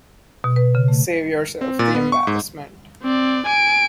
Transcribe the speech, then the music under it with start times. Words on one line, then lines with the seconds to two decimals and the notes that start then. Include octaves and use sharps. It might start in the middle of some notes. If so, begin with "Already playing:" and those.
Save Yourself The Embarrassment.
0.44 B2
0.56 B4
0.75 C#3
0.88 A3
1.61 C4
1.79 A#2
1.95 B3
2.12 C#6
2.27 G#2
3.03 C4 D5
3.47 G#5 D7